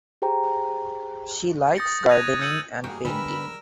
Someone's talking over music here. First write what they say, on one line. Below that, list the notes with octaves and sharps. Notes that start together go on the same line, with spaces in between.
She likes gardening and painting.
G4 G#4 C5 G5 A#5
D#6 G6 A6 A#6 C#7
F#6 G#6 A#6 D#7 F7
D#6 E6 G6 C#7 D#7 F#7
G2 A#3 F#4 G#4 G5
D3 G3 G#3 B3 A#4 B4 E6